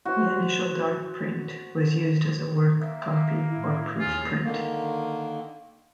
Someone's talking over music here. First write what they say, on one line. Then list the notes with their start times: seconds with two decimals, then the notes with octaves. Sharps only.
The initial dark print was used as a work copy or proof print.
0.05 F#4 C5
2.81 A#3 E5
3.49 A2 E4
4.00 D#2 C#3 F4 G#5
4.45 D3 D#3 A#3